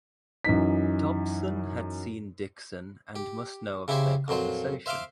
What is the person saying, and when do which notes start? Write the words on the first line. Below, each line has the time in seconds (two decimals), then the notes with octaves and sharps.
Dobson had seen Dixon and must know of their conversation.
0.45 F#2 E3 D#4 B6
3.16 G4
3.88 C#3 E4 G4 G#4 C5
4.28 F2 A#2 F#3 C5
4.86 C5 E5 F5 C6 D6